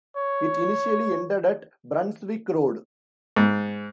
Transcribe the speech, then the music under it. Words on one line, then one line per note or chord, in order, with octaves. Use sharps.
It initially ended at Brunswick Road.
C#5
G#2